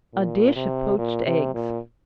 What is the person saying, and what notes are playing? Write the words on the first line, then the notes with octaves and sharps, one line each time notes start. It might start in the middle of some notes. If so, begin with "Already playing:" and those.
A Dish of Poached Eggs.
A#2
C3
A#2
C3
A#2